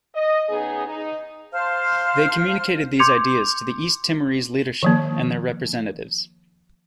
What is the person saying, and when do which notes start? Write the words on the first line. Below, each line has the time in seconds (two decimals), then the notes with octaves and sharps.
They communicated these ideas to the East Timorese leadership and their representatives.
0.15 D#5
0.49 C#3 B3 D#4 G#4
0.87 D#4
1.53 C5 F5 A5 F6
2.99 C6 D6 G6 G#6 C#7 F7
4.83 D#3 F3 A#3